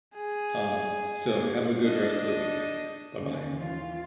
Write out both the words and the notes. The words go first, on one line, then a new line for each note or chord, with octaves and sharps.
Um, so have a good rest of the weekend. Bye-bye.
G#4
D4 D#5
D#2 D3 C#4
E3 F4